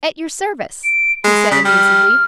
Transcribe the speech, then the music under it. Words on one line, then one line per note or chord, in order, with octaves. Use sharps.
"At your service," he said amusedly.
D7
G#3 B5
C#3 B6
G3 F6